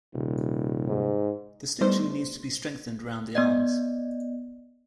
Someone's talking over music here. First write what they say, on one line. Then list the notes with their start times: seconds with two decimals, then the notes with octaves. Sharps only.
The stitching needs to be strengthened around the arms.
0.14 D#1 C3
0.88 G#2
1.81 G3 A3 B3 D4 D#4 C5
3.35 B3 D5 D#5